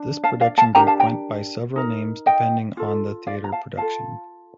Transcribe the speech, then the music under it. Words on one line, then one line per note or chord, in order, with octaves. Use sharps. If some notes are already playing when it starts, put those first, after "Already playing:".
This production group went by several names depending on the theater production.
Already playing: D4
F5 A5
D5 F5
F5 A5
D4 G4 A#4 G5 A#5
F5 A5
G5 A#5
D#4 A#4
D#5 G5
F4 A4
D5 F5
A#5
F5 A5
F4 A4 F5 A5